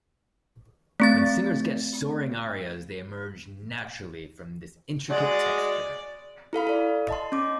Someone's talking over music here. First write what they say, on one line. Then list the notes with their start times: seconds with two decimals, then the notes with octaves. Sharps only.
When singers get soaring arias, they emerge naturally from this intricate texture.
1.00 A3 C4 A6
5.11 G#3 F#4 D5
6.53 E4 A4 F5 B5
6.67 A4 D5
7.09 D#5 A5 C6
7.32 C#4 D6